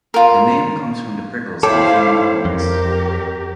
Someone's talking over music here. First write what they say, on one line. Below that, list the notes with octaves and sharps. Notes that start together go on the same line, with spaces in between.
The name comes from the prickles on the female cones.
F4 A#4
E4 A4 C5 C#5 F5 G5 D6
F2 G4 A#4